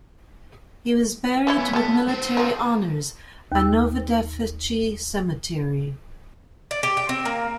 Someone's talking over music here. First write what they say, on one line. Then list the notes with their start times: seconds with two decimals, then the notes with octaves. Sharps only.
He was buried with military honours at Novodevichy Cemetery.
1.47 E3 C#4 E4
1.58 B3
1.73 G3 B3 A4
2.08 B3 C5
2.37 F3 A#4
3.52 D#2 E6
6.71 D5
6.83 G4
6.97 G5
7.09 C4
7.25 A#3